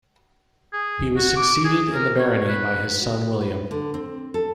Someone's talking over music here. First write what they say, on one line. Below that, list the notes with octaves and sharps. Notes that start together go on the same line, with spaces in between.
He was succeeded in the barony by his son William.
G#4
F#4
D6
G#4
A#4
C#5
B4
F#4
B4
D3
C4
A4